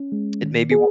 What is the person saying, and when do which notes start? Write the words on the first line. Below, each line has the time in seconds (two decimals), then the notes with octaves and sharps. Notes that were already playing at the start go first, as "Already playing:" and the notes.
it made me wa
Already playing: C#4
0.12 G#3
0.42 D#3
0.71 G#4